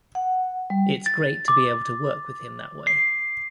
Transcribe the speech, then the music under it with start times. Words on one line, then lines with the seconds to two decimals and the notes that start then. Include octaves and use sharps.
It's great to be able to work with him that way.
0.15 F#5
0.70 G3
1.06 A6
1.48 D6
2.87 C7